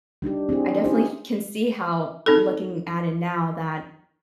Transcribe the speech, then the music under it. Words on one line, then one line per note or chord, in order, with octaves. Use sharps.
I definitely f can see how looking at it now that
G3 D4 D#4 G4
C4 D4 E4 G#4
C#4 D#4 E4 G4 G#4 C5
C4 D#4 G#4 A4